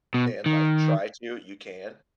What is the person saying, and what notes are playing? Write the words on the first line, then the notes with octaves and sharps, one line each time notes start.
and, like, try to, you can,
B2
D#3